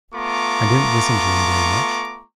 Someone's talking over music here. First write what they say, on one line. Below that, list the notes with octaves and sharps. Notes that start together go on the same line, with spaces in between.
I didn’t listen to him very much.
A3 B3 F4 A#5 C#6 D6